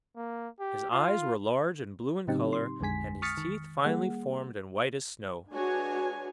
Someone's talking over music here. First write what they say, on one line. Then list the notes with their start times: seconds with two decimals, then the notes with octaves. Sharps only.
His eyes were large and blue in color and his teeth finely formed and white as snow.
0.16 A#3
0.60 G4
0.91 F4
2.27 A2 C#3 F#3 C4 D#4 G4
2.53 C6
2.80 A#1 F2 D3 G#3 G#5 B6
3.22 C#6 D#6 F6 A6 B6 C#7
3.37 D#3
3.84 G3 A#3 G#4 F#5
5.52 G#3 D4 F#4 B4 C#5 G#5